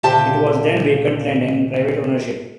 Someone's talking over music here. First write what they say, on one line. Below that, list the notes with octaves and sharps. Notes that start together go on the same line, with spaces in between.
It was then vacant and in private ownership.
D2 A#2 C#3 G4 G5 A5